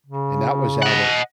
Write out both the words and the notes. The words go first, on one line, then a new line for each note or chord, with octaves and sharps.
And that was at it
C#3
D#5 F#5